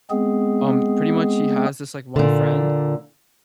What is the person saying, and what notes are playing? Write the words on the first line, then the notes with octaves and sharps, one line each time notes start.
um, pretty much he has this like one friend.
G#3 B3 C4 G#4
A#2 D3